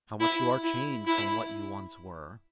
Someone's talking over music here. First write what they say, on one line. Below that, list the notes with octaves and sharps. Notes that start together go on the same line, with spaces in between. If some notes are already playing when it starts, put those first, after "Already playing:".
How much you are changed from what you once were!
E4
E4
E4